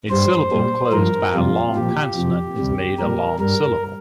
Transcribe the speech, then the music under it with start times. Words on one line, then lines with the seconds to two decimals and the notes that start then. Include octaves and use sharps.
A syllable closed by a long consonant is made a long syllable.
0.10 G2 G3 C5
0.52 A#2 G3
0.93 G2 F3 A#4
1.34 F2 C3 G3 F4
1.75 A#2 F3 G4
2.17 F2 C3 F3
2.58 D2 C3 G3
2.99 A#2 G3 A#4
3.40 G2 G3 A#4